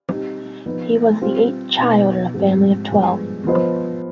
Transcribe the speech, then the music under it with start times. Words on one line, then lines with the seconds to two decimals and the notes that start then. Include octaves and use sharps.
He was the eighth child in a family of twelve.
0.09 G3 C4 D#4 G4
0.66 F3 B3 D#4 B4
1.21 G3 C4 F4
1.78 B2 B3 D#4
2.34 G#2 F3 C4 G4
2.91 G2 F3 G#3 B3
3.47 F3 B3 F4 C5 D#5